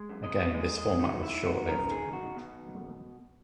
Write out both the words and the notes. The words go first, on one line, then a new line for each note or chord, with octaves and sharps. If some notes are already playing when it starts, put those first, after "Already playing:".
Again, this format was short-lived.
Already playing: G#3
F#2
D#5
G#3 D#5
D#5
D#4 F#4
E4
D#4 F#4
A#4
D#4 G#4
F#4
B2